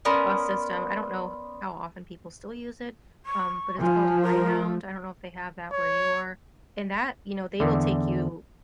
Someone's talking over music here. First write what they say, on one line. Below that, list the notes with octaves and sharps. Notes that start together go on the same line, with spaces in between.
bus system. I don't know how often people still use it, um, but it's called a Greyhound, I don't know if they have that where you are. And that you know, they will take you
B3 C#4 A#4 D5 B5 C6
C#6
F3 G#5
A#4
C#5
E2 D3